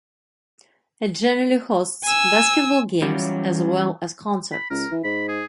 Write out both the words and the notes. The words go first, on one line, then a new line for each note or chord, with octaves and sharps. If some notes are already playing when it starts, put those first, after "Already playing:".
It generally hosts basketball games as well as concerts.
G#5 E6
E3 F#3 G3 C#4 F4 G4
B5
C#2 A#4
E3
G#2 B5
G#4